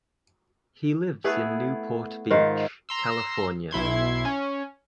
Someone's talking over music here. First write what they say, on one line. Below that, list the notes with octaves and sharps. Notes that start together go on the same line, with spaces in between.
He lives in Newport Beach, California.
A3 B3 E4 G#4
G#2 D#3 F4 C5
A#5 C6 E6
B1 E4 C6 G#6
C#4